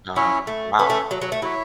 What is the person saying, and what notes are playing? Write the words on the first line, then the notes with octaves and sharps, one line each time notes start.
Um, wow.
F#3 C#4 E4 C#5 E5
A3
B3 C#4 A4 C#5 E5
A3
F#3
F#3
A3
F#3 E4 C#5 E5